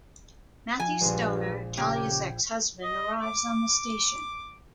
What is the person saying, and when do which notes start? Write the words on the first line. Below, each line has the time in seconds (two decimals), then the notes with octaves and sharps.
Matthew Stoner, Talia's ex-husband, arrives on the station.
0.80 F3 G#5
1.01 A#1 G2 G#3
1.78 C#3 A#3 G4 G5 G6 G#6
2.83 D#5
3.22 D6